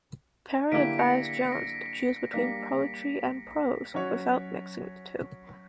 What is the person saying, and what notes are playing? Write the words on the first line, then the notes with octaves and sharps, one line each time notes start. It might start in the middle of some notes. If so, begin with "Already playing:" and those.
Parry advised Jones to choose between poetry and prose without mixing the two.
D3 A#3 E4 G4 B6 D7
A#6 C#7
B6
A#6 C#7
G3 A#3 D4 B6
F#3 C#4 F#4 C#5